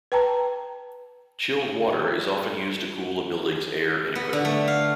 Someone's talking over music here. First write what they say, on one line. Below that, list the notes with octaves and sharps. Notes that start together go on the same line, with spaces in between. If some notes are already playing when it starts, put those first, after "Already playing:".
Chilled water is often used to cool a building's air and equipment.
B4 G5 A5 A#5
B3
D3
A3
F5